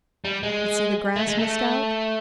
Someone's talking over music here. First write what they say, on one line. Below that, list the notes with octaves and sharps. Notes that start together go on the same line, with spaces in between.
But see the grass missed out!
G3
G#3
A3
G#3
A3